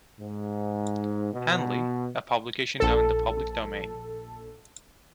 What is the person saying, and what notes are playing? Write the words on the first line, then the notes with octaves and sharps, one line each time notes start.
Handley, a publication now in the public domain.
G#2
B2
A#1 A4